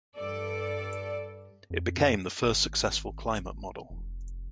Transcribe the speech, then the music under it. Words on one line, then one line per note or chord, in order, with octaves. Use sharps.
It became the first successful climate model.
G2 A4 D5
F2
G#1
F1